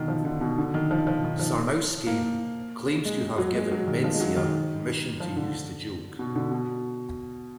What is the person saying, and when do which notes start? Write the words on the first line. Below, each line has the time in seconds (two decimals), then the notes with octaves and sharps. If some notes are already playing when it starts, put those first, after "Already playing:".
Sarnowski claims to have given Mencia permission to use the joke.
Already playing: B2 D3 D#3
0.08 F3
0.25 D3
0.41 B2
0.58 D3
0.74 D#3
0.91 F3
1.07 F3
1.24 D#3
1.39 F3
2.07 A#3
3.05 G#3
3.22 G#3
3.38 F#3
3.55 G#3
3.72 F#3
3.87 D#3
4.04 F3
4.14 G#3
4.20 F#3
4.37 D#3
5.20 F3
5.36 D3
6.19 B2
6.35 D3
6.51 B2